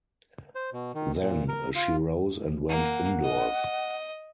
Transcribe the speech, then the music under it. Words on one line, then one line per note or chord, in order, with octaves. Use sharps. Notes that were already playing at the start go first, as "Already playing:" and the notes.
Then she rose and went indoors.
C5
B2
D#3
A#2
A#4
F4
A#3 F#5
D#5